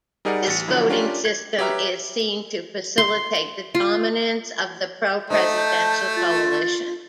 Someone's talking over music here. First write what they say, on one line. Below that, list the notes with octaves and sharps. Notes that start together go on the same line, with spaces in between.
This voting system is seen to facilitate the dominance of the pro-presidential coalition.
G3 D#4 G#4 A#4 D5 F#5
A1 A6 C#7
D3 F3 F#3 E4
C#4 D4 F4 G4 A#4
G#6
G4 B4 C#5 E5 A#5 F6
C6
F4
A3 D#4 C5 D#5
A5 G6
F4 A6